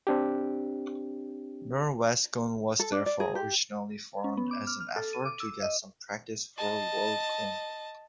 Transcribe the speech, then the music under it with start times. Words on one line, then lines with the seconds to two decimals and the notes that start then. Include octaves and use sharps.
Norwescon was therefore originally formed as an effort to get some practice for Worldcon.
0.07 C4 D4 G4
2.79 A4
2.92 D4
3.06 D5
3.20 G#4
3.35 G4
4.24 C#4
4.37 B3
4.51 D6
4.67 F6
4.80 F6
4.96 A4
5.13 D#7
5.25 D6
5.40 E6
5.63 D#5
6.57 D#5 A5